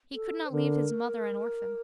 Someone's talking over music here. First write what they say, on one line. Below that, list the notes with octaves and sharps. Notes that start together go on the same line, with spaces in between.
He could not leave his mother an orphan.
A4
C5
D3 A#4